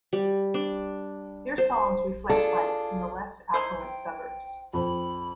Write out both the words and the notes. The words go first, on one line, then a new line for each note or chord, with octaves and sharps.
Their songs reflect life in the less affluent suburbs.
G3
D4
C5
D4 F4 G#4 A4
D#4 E4 C5
G5
F2 B5